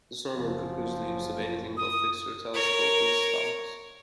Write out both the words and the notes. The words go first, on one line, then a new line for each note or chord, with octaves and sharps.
This normally precludes the use of anything but fixed or telescoping stocks.
F#1 C#3 F3
D#6
A#4 C#5